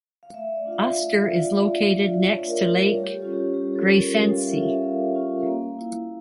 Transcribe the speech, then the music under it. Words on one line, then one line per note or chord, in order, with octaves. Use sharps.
Uster is located next to lake Greifensee.
F5
A3 E5
D5
D4 F4
F5
E5
A3 E5
E5
D4 F4
D5
A3
D4 F4
A3 C#5
A#4
D4 F4
A#4
G3 C#5
G4
A4
C#4 F4
G4
G3 G4
A4
C#4 F4
A#4
G3
F5
E5
C#4 F4
E5
G3 F5
C#4 F4
A#3
E4